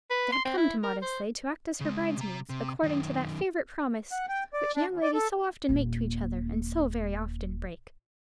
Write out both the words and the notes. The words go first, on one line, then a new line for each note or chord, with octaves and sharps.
They had come to Maudesley to act as her bridesmaids, according to that favourite promise which young ladies so often make to each other, and so very often break.
B4
C6
C4
E4
A#4
C5
C#3 G#3
C3 A#5
C3
F#2 D#3
F#5
G5
D5
D4
D#2
D5
A4
D#1 A#3